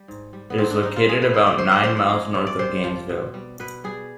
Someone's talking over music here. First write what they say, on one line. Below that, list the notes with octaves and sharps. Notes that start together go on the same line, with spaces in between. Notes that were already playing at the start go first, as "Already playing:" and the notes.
It is located about nine miles north of Gainesville.
Already playing: G3
G#2
G3
B3
G#2 C4
D4
G3 D#4
F4
G#3 G#4
B4
C3 C5
D5
C3 C5
D5
F3 C5
D5
G#3
C3
D5
C3 C5
F3
B2
G3
B2 B4
G3 G#4